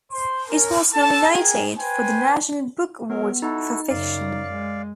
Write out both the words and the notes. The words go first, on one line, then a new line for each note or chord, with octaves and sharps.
It was nominated for the National Book Award for fiction.
C5 C6
C#4 A#4
A4 A5
G#4 A#4 G5 G#5
B4 C5 G5 G#5
F#3 B3 A#4
D#4 E4 F#4 A4
F#2 C#3 D5 F5
G#3